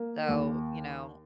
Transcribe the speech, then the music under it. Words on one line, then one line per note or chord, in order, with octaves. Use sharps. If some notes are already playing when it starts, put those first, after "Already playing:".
So, you know
Already playing: A#3
D#2